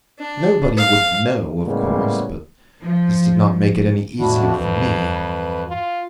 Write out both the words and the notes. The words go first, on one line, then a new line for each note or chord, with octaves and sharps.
Nobody would know, of course, but this did not make it any easier for me.
D4
F5
A2 C#3 G3 G#3 A#3 B3
F3
E1 F2 A2 D#3 D4 E4 F#4
E2 G2 B4
F4